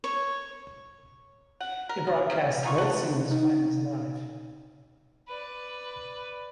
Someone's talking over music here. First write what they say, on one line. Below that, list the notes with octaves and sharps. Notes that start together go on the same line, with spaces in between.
It broadcasts both singles finals live.
C#5
F#5
A#4
B3
C#3 A#3 C#4
E3 D#4 F4 C#6
A4 F#5
D#4
B4 D5